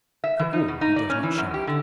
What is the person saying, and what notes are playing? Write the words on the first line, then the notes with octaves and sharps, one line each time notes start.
For all he does not show it.
E5
E3
D#4
B2
D#4
D5
C#4
E3
F#2
G4
D3